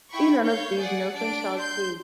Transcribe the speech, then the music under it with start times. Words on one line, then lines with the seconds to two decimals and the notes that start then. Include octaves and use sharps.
In one of these, Nielsen shouts, Hey!
0.10 E4 G5 B5 C#6
0.41 C#5 F5 G6
0.79 G#4 D5 F#5
1.11 D4 D5 D7
1.58 C6 G6